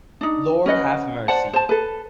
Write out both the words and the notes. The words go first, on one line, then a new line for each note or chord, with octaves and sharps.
Lord Have Mercy!
D4 D#4
C#4 B4 D#5 F#5
C5 D5 F#5 A5
C5 A5
A4 B4